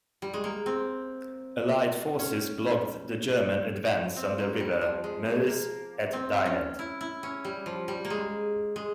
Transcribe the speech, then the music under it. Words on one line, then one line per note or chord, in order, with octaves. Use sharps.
Allied forces blocked the German advance on the river Meuse at Dinant.
G3
G#3
A#3
C4
C#4
C4
A#3
G3
F3
G#3
A#3
C4
C#4
E4
E4
C#4
G3
F3
G3
A#3
G#3
G#3